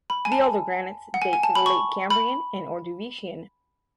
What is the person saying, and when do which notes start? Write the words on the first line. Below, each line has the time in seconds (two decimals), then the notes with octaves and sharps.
The Older Granites date to the late Cambrian and Orduvician.
0.10 B5
0.25 G#5
0.32 A5
1.14 F#5
1.22 G#5
1.33 G#5
1.43 A5
1.55 B5
1.66 C#6
2.10 B5